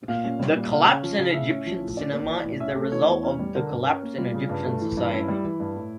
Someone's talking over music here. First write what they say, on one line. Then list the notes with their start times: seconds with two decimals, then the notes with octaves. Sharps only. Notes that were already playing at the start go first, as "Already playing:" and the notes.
The collapse in Egyptian cinema is the result of the collapse in Egyptian society.
0.08 A#2 F5
0.24 C#4
0.40 G3
0.55 A#2
0.71 C#3 F5
0.87 C#4
1.03 F3
1.18 C#3
1.34 A2 E5
1.50 C#4
1.66 F3
1.81 A2
1.97 C#4 D5
2.13 A#3
2.29 E3
2.45 A2
2.60 C#4 E5
2.71 G4
2.76 A3
2.81 A4
2.92 E3 C#5
3.08 E2
3.23 C#4
3.39 G3
3.55 D3 A#4
3.71 G2
3.87 C#4
4.02 A#3
4.18 G3 F4
4.34 C#3
4.49 G2
4.65 A3
4.81 E3
4.97 G2
5.13 C#4 E4
5.28 G3
5.44 E3
5.60 G2
5.76 A2